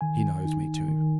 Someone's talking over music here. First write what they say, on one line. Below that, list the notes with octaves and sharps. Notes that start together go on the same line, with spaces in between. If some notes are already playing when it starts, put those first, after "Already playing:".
He knows me too.'
D#3 G#5
D#4
D#3